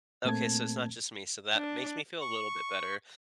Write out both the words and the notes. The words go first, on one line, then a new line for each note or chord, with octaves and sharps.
Okay. So it's not just me. So that makes me feel a little bit better.
A#2 A3 A#3 C4 A5 G#6
D4
C#6